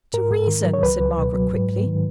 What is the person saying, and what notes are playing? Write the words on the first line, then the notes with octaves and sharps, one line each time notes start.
'To reason!' said Margaret, quickly.
G#2 A#4
G#2
D#3
F#3
C#5
C#2 B4
C#2
B2
F#3
G#2
G#2
D#3